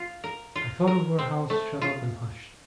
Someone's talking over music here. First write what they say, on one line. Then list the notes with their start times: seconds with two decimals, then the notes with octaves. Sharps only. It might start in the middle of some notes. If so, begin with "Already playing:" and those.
I thought of our house shut up and hushed.
Already playing: F4
0.24 A#4
0.56 F4
0.87 A#4
1.19 C4
1.50 A3
1.82 F4